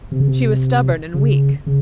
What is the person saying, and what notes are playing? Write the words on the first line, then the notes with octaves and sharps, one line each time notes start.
She was stubborn and weak.
C3
C#3
C3
C#3
C#3